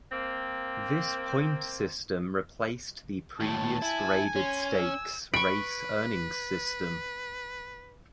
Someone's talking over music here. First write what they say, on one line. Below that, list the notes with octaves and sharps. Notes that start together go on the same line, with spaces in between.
This point system replaced the previous graded stakes race earnings system.
A#3 C4
D#2 A2 A5
E4 G#5
C#4 C6
E6
B4 B5 C#6 D7